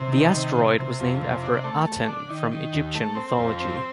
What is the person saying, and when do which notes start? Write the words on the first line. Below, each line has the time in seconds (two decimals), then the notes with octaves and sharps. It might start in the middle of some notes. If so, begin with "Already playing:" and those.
The asteroid was named after Aten from Egyptian mythology.
Already playing: C3
0.12 D#3
0.35 C3
0.56 C3
0.78 C3
0.99 F2
1.21 C3
1.43 D4
1.63 A3
1.86 A3
2.08 D4
2.30 D#3
2.51 D#3
2.73 D#2
2.94 A3
3.15 C4
3.37 F2
3.59 C4